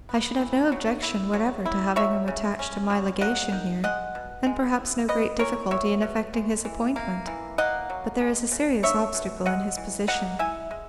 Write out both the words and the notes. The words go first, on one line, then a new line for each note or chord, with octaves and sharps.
I should have no objection whatever to having him attached to my Legation here, and perhaps no great difficulty in effecting his appointment; but there is a serious obstacle in his position.
B3
E3
F#3
E4
F#3
E4
F#3 C#5 E5
C#3
C#4
F#3
A#3 D#5 F#5
D#3
G#3 D#5 F#5
B2
G#3
E4
B3 B4 D#5
E3 A#4 C#5
F#3 C#5 E5
B2
G#3
E3
A#3
E3
A#3 D#5 F#5
F#3
G#3
C#3
A#3 C#5 E5
B2
G#3 D#5 F#5
E3
A#3 D#5 F#5
E4 E5 G#5
G#3